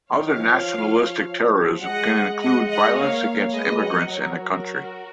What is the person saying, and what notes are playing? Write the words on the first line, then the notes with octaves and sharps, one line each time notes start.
Other nationalistic terrorism can include violence against immigrants in a country.
D#3 C#5 F5
F3
G#3 D#5 F#5
D#5 F#5
D#5 F#5
A#3 C#5 F5
G#3 B4 D#5
F#3 D#5 F#5
A#4 C#5
F#4 A#4